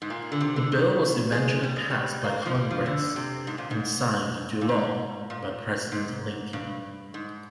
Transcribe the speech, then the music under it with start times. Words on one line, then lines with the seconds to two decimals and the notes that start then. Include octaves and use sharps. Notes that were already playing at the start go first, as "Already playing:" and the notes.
The bill was eventually passed by Congress and signed into law by President Lincoln.
0.02 G#2
0.10 A#2
0.32 D3
0.40 C3
0.56 D3
0.72 D#3
1.32 G#3
1.63 G3
1.76 G#3
1.90 G3
2.24 A#3
2.46 F3
2.55 G3
2.71 F3
2.86 D3
3.16 C3
3.47 G#2
3.58 A#2
3.71 G#2
4.61 A#2
4.69 G#2
5.30 A#2
5.92 G#2
6.53 G2
7.14 G#2